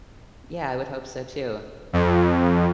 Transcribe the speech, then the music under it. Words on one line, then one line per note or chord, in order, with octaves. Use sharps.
Yeah, I would hope so too.
F2